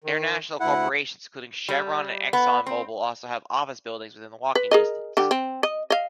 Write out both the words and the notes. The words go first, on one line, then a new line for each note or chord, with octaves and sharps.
International corporations including Chevron and ExxonMobil also have office buildings within walking distance.
D#3
D2 E4 F#5
G3
B3
C4
B4
G#4 A#4 D#5
D3 G3 G4
C4
D#5
D#5 F5